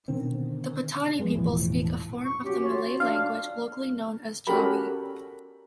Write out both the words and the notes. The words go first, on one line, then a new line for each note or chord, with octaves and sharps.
The Patani people speak a form of the Malay language locally known as Jawi.
B2 D3 D#3 C4
F3 G#3 A#3 B3
E1 A2 E3 F3
C#6
C#4 F#4 G4
F4 C#5
D4 F5
C#4 F#4 G4 A4 A#4 B5